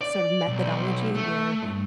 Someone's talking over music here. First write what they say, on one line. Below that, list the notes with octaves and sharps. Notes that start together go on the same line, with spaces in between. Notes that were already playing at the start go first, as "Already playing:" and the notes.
sort of methodology where
D5
B1
A3
G2